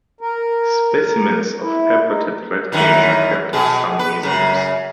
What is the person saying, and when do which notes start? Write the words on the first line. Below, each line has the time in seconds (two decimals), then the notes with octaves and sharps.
Specimens of purported rat kings are kept in some museums.
0.21 A#4
1.61 E4
2.07 D#4
2.72 F#2 D#3 E3
3.53 B2 G#4
3.99 B4
4.23 F#2 C#3